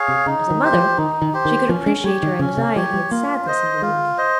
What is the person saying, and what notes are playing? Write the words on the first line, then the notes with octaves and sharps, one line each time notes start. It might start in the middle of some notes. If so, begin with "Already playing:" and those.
As a mother, she could appreciate her anxiety and sadness in leaving me.
Already playing: G#4 C#5 F5
C3
C#3 D#4
D#3
G4 C5
F3
D#3 D#4
D#3
G4 C5
D#3
F3 C#4
G#3
G3 G4 C#5
D#3
C#3 C#4
C3
F3 G4 C#5
G3
A#3 F4
C5 D#5
G#3 F4
C5 D#5